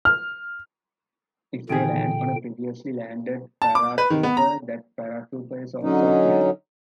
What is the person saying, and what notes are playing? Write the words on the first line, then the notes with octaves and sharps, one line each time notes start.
If they land on a previously landed paratrooper, that paratrooper is also killed.
F6
E2 A#2 D3 D#3 G#4 G5
A5
D6
B4
D#3
B3
A#5
D3 F#3 C#4 D#4